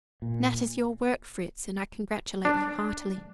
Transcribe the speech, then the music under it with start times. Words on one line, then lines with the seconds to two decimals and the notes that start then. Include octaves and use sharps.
Nat is your work, Fritz, and I congratulate you heartily.'
0.22 A#2
2.45 D4